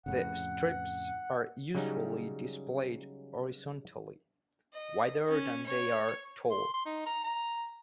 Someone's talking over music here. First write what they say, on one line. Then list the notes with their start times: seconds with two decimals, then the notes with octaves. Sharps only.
The strips are usually displayed horizontally, wider than they are tall.
0.06 F2 A2 C#3 F#5
1.75 C#3 F#3 G3 C#4 D#4
4.73 D#5
5.27 C#4
5.66 C#5
6.51 C6
6.74 C6
6.86 D#4
7.06 A#5
7.24 A#5